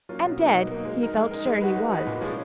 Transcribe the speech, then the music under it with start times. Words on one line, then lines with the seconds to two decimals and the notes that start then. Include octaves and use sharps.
And dead he felt sure he was.
0.09 F#3 A#3 C#4 F4
0.25 B2
0.40 F#3 A#3 D#4
0.55 B2
0.69 F#3 A#3 D#4
0.85 G#3
1.00 D#4 A#4
1.16 G#3
1.31 D#4 A#4
1.45 G#3
1.61 D#4 F#4 B4
1.76 G#3
1.91 D#4 F#4 B4
2.07 A#2
2.21 F3 G#3 C#4